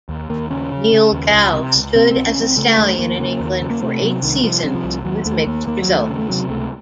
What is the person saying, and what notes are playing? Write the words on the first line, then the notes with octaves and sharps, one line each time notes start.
Neil Gow stood as a stallion in England for eight seasons with mixed results.
D#2
D#2 A#3
C#3 C#4
C#3
C#3
D#2
C#2
C3
C#2
C3 C4
C#2 C4
C#4
C#2
C4
C#3 A3
D#2 A3
D#2 A#3
C#3 A#3
D#2
C#3
A#3
C3 A3
C3 F#3
C2 D#3
C2 F3
C3
F3
C2
D#2 F#3
D#2 A3
D#2 A#3
D#2 A#3
F#3
D#2
A3
C#3
A3
C3 F#3
C#2 A3